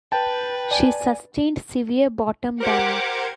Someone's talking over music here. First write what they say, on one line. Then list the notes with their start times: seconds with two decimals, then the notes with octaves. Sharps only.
She sustained severe bottom damage.
0.12 B4 G5 A5
0.71 D5 G#5
2.60 G4 A#4 C5 F#5 D6 G#6